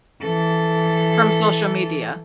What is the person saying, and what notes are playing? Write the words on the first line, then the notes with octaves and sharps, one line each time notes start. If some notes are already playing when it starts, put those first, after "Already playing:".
From social media.
E3 A4